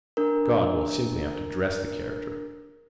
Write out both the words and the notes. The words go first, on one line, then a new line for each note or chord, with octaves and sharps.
God, we'll simply have to dress the character.
D4 A#4